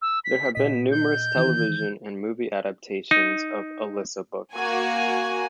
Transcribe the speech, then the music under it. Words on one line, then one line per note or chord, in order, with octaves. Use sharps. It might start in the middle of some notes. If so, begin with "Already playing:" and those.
There have been numerous television and movie adaptations of "Alisa" books.
E6
B6
A#2 D#5 B6
G6
D#3 E3
D#4
A#3 F#4 G#5